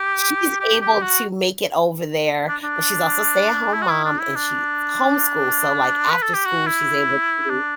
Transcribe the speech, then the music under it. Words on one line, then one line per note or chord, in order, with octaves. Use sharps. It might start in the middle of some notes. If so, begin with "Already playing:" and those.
She's able to make it over there, but she's also a stay-at-home mom and she s homeschools. So, like, after school, she's able to,
Already playing: G4
G4
G4
F#4
D4
D4
E4
F#4
E4
D4
E4
D4
B4
A4
G4
F#4
E4
D4